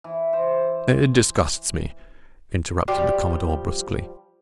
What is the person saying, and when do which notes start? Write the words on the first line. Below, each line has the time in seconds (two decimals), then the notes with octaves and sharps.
"It disgusts me," interrupted the commodore brusquely.
0.04 E3
0.33 C5
2.88 F3 G3 F#4 G4 D5 D6